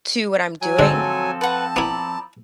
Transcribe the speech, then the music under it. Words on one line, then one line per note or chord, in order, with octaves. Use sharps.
to what I'm doing,
F#3 G#5
G#2 D3 F3 C4 D4 A4
B4 F#5 A5
B3 E4 D5 A#5 B5